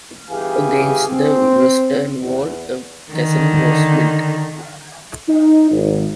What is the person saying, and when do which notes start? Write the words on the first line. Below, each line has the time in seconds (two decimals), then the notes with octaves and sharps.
Against the western wall, a castle was built.
0.30 G1 E3 G4 G#4 F5 G#5
1.08 C4
2.20 E2
3.11 D3 D#3
5.29 D#4
5.71 G#1